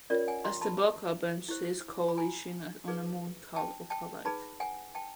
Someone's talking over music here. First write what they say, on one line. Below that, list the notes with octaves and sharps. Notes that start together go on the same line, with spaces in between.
As the book opens, she is "coalescing" on a moon called Opalite.
C#4 F4 A#4 C#5 D5
F#5 G#5
A#5 C6
A5 B5
E4 G4 C5
B5
G#5 A#5
D#4 G#4 B4
G5 A5
G5 A5
D#4 G#4 B4 A5 B5
F#5 G#5
G5 A5